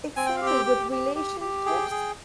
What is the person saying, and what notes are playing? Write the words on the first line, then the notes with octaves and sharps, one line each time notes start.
Exactly with relationships.
C4 G#5
G5
G4 F5
G5
G4
G4
G4
G4
G#4 G5
G#4